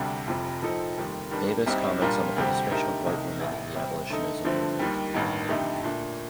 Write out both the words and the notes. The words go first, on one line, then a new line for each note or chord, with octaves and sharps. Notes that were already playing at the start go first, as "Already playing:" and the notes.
Davis comments on the participation of white women in the abolitionism movement.
Already playing: D2 C3 G3 D4
F1 F2 C3 F3
A#2 F3 C4 D#4 A4
F1 D#2 D#3 G3
G2 D#3 G3 D4
C2 C3 G3 C4 D#4
A#2 G3 D4 F4 A#4
D2 C3 G3 C4 G4
D3 A3 D#4 G4 A#4
C2 C3 D#3 A3 D#4
A1 A2 A3
C3 G3 C4
D3 A3 D#4 A4
G2 D3 F3 A3 C4
D#2 D#3 G3
A1 G2 D#3 A#3
F2 D3 A3 D#4 G4
A#2 A3 D4